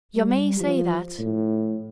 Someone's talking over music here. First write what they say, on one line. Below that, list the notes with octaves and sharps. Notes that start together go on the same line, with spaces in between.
'Yo' may say that.
G3
F3
A2